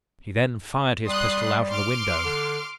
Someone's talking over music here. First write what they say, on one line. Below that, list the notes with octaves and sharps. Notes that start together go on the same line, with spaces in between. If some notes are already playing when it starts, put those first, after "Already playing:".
He then fired his pistol out of the window.
G3 C6 D#6 F#6
C6 D6 F6
D3